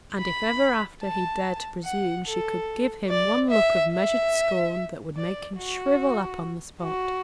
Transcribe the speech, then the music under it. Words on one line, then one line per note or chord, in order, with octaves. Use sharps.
And if ever after he dared to presume she could give him one look of measured scorn that would make him shrivel up on the spot.
B5
A5
F#5
A4
D5
E5
E5
D5
F#4
F#4